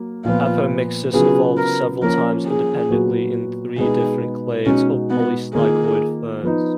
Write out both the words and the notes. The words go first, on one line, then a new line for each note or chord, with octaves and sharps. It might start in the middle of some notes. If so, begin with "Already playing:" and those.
Apomixis evolved several times independently in three different clades of polystichoid ferns.
Already playing: F#3 A#3
A#2 F3 B3 F4
C#3 F#3 B3 F4 G#4
A#4
F3 A#3 C#4 A#4
G#4
A#2 F#3 B3 F#4
B2 G#3 B3 D#4 G#4
B2 G#3 C#4 D#4 F#4
B3
D#3 A#3 F4 G#4
F3 B3 D#4